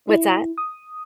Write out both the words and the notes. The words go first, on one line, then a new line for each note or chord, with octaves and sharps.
what's that?
E4
D#6